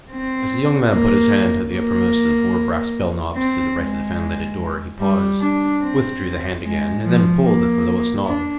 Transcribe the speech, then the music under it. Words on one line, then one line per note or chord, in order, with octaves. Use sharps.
As the young man put his hand to the uppermost of the four brass bell-knobs to the right of the fanlighted door he paused, withdrew the hand again, and then pulled at the lowest knob.
C4
A#3
A#3
C4
G#3
G3
D4
C4
G#3
F3
A#3
D4